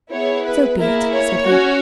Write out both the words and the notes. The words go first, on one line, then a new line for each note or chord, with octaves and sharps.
"So be it," said he.
B3 E4 G#4 C#5
B4
A#3 E4 G#4 A#4
C#5
C#4 F#4